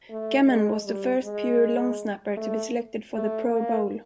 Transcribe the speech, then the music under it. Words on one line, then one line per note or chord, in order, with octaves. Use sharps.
Gammon was the first pure long-snapper to be selected for the Pro Bowl.
A3
G#3
G3
G#3
A3
A3
A#3